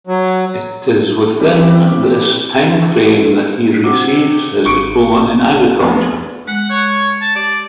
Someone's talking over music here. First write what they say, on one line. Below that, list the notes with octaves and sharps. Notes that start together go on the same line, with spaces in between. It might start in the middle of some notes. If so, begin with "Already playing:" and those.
It is within this time frame that he receives his diploma in agriculture.
F#3
G3 C4 C#4 E4 G4
C3 F#4 D6
G#1 C#6 C#7 D7
F1 D2 B3
G#3 F#5
C#5
A5
G4 D5